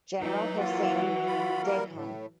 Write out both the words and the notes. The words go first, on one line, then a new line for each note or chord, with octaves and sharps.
General Hossein Dehghan.
E3 F#3 D#4
A#3 F4 F#4
F4 B5
G3 A#3 A#4
A2